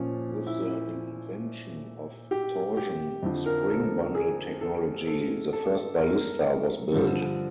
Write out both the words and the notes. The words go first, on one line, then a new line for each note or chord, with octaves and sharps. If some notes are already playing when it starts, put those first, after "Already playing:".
With the invention of torsion spring bundle technology, the first ballista was built.
Already playing: A#2 F3 C#4
E4
G4
G4
F2 D3 F3
A#4
A4
G#4
A4
A4
A4
A#4
G2 D3 F3